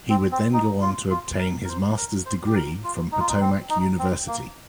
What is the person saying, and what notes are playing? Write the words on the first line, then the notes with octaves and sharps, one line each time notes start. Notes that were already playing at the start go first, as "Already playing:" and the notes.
He would then go on to obtain his master's degree from Potomac University.
C4
C4
D#4
F4
F4
A#4
A#4
C5
A#4
C5
G4
A#4
F4
D#4
F4
D#4
C4
D#4
C4
A#3